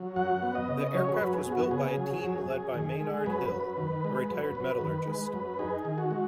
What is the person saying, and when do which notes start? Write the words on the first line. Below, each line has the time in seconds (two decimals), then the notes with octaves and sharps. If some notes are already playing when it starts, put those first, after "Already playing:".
The aircraft was built by a team led by Maynard Hill, a retired metallurgist.
Already playing: F#3
0.16 F#2 F#5
0.42 B3
0.55 D#5
0.68 C#3
0.94 F#3 C#5
1.09 G#4
1.14 B4
1.20 F#2
1.33 G#4
1.46 B3
1.52 F#4
1.71 C#3 G#4
1.97 F#3
2.23 F#2
2.49 F#2
2.74 D#3
3.01 G#3
3.26 F#2 B4
3.52 F#2
3.77 D#3
4.04 G#3
4.30 F#2
4.55 F#2
4.81 D#3
5.08 G#3
5.33 F#2
5.59 D#4 G#4
5.85 D#3
5.98 F#4
6.11 G#3